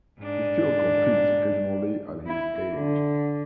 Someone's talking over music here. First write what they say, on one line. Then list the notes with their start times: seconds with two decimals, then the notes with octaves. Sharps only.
He still competes occasionally at his age.
0.19 G#2 D4
2.27 E4
2.74 D3